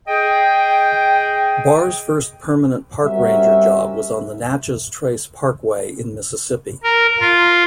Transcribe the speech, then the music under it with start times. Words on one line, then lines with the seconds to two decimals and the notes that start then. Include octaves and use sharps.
Barr's first permanent Park Ranger job was on the Natchez Trace Parkway in Mississippi.
0.07 G#4 D#5 G5
3.03 G3 C4 C#4 F#4 A#4 E5
6.83 A#4
7.20 F4